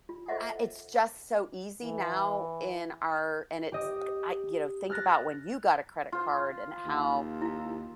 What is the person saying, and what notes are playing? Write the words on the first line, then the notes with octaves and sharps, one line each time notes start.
uh, it's just so easy now in our and it's I you know, think about when you got a credit card and how
F4
A4 C5 D#5 E5 F#5
E3
G4 D#5
F6 F#6 A6 A#6
F4 C5
D#2
E4 F5